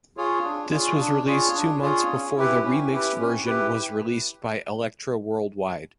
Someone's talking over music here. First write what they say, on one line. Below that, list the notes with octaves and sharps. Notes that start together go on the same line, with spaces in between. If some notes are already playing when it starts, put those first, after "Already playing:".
This was released two months before the remixed version was released by Elektra worldwide.
F4 G#4 C#5
D4
F4 G#4 C#5
D4
F4 G#4 C#5
D4
F4 G#4 C#5
C#4
E4 G4 B4
C#4
E4 G4 B4
C#4
E4 G4 B4